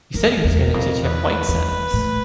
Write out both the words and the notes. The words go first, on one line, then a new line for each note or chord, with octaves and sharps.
He he said was going to teach at White Sands.
F2 A#4
E2
A#4
F2
E2 B4
E2
A2